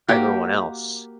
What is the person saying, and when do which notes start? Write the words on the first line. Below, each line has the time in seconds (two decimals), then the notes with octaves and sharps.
everyone else?
0.08 A#3 F#4 G4